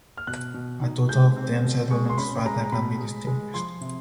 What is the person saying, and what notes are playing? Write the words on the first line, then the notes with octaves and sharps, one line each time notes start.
A total of ten settlement strata can be distinguished.
F6
B2 F#6
B2
D#4
G#3 G6
C4
B2
G#3 C#6
C6
C#4 B5
B5
G#3 A#5
A#5
B2 B5
G#3
G#3
F3 C6
C3